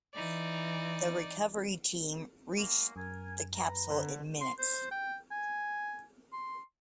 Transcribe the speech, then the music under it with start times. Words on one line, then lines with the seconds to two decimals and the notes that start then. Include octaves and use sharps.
The recovery team reached the capsule in minutes.
0.14 E3 D#4 D5
2.57 F#3 G#3 A#3
2.96 F#2 A#4 G#5
3.56 B4 A#5
3.90 D3
4.41 C6
4.59 C5
4.91 G5
5.31 G#5
6.33 C6